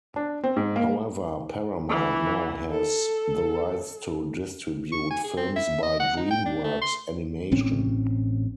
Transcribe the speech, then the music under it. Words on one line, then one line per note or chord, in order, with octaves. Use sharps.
However, Paramount now has the rights to distribute films by DreamWorks Animation.
D4
C4
G#2
A#3
E3
A4
C#6
G#5
G#4
C4
E5
D#5
F#5
D#4
G5
D4
A3
C6
A1 A2 C4 C#4